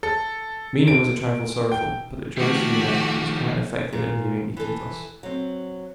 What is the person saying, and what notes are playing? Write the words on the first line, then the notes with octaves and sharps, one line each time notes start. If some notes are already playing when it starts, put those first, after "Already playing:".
Minha was a trifle sorrowful, but the joyous Lina was quite unaffected at leaving Iquitos.
A4
D7
G5
D#3 F3 A3 F#4 G4
A#2
E3 A4
F#3 C4